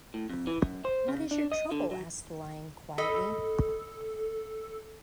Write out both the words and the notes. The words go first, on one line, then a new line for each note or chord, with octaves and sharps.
What is your trouble? asked the Lion, quietly.
A2
F2
E3
F#2
C5
C#3
D4
D#5
D3
F#3
A4 D#5 B5